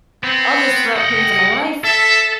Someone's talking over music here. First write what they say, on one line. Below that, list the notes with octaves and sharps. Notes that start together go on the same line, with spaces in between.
of this throughout periods of my life
B3 C4
D#5 F#5 G5
A4 E5